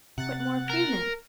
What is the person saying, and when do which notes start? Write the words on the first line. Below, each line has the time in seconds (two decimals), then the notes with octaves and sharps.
Put more cream in.
0.18 C3 F#5 F#6 A6
0.70 A#4